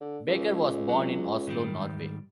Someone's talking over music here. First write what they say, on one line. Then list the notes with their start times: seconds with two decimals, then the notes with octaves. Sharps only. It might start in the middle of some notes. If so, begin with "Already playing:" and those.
Backer was born in Oslo, Norway.
0.01 D3
0.28 C#2
0.89 F#3
1.47 G#2 D#3 G3